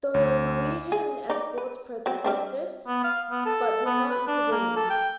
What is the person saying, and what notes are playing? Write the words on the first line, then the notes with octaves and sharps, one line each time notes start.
The Norwegian escorts protested, but did not intervene.
D2
G#4
D#4 D5
B4
F#3 C4
G3 C4 D4
B3
F5
B3
A4
B3
B4
D4
A#3
A4
G5